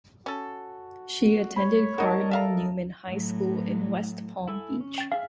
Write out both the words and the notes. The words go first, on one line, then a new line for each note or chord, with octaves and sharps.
She attended Cardinal Newman High School in West Palm Beach.
C#4 F#4 A4
C#5 B5
D#4 F#4 A#4 D#5 A5
A4 E5 F5 A#5
A2 F#3
E4 A4 G#5
C#4
G5 A6
G#4 E5 F5 F6